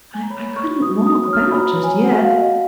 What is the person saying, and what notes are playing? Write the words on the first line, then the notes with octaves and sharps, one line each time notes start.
I--I couldn't walk about just yet.
G#5
A#5
C#5 B5
C#5
C#6
F#4
D#6
F#4
F#4 D#6
C#5
F6
F#4
B5
A#5
C#5
C#5 G#5
F#4 F#5
F#4 F5
F#4 D#5